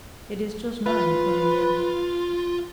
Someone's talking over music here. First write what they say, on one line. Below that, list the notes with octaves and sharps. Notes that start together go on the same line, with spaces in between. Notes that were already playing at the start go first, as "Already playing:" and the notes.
"It is just nine, Cornelia."
F4 B4